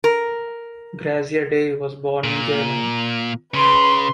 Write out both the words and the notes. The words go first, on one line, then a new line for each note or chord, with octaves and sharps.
Graziadei was born in Germany.
A#4
A#2
C#3 B4 C6